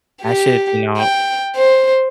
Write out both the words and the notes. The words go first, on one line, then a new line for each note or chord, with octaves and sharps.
I should," you know,
G4
G5
C5